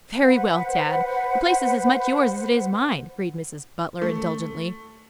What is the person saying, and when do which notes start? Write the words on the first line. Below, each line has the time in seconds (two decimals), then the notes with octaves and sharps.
"Very well, Tad; the place is as much yours as it is mine," agreed Mrs. Butler, indulgently.
0.22 B4 C5 F#5
4.02 A3